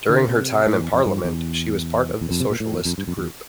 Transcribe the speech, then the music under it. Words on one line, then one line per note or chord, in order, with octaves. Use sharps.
During her time in Parliament, she was part of the Socialist Group.
D3
C3
A2
E2
F2
G2
E2
E2
F2
C3
A#2
A2
E2
F2
G2
F2
E2